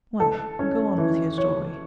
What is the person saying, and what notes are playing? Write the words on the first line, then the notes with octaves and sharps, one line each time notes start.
"Well, go on with your story."
A4
C#4
E3
C#5